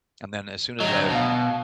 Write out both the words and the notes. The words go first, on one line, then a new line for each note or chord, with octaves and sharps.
and then, as soon as I've
D2 F#3 D#5
B2 F5 A5